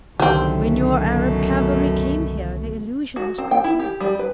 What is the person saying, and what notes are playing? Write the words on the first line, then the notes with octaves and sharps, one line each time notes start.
"When your Arab cavalry came here the illusion was complete."
C2 F#2 B2 D3 D#3 G3 A3 C4
F#4
C4
G5
E4
G4
G3
B4